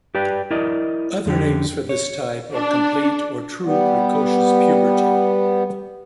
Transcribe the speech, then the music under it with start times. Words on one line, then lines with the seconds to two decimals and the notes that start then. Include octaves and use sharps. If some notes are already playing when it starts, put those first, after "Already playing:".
Other names for this type are "complete" or "true precocious" puberty.
0.15 G4 B4 D5 G5
0.51 E4 A#4 D5 D#5
1.26 F2 D3 G4
1.89 C#5
2.53 D4
3.64 G3 B3